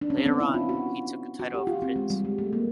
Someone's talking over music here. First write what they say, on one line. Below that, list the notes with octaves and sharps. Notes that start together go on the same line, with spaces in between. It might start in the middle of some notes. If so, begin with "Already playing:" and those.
Later on, he took the title of Prinz.
D4
C#4
C4
B3
E4
F4
F#4
F#4
G4
F4
C4
G#3
G3
G#3
A3
A#3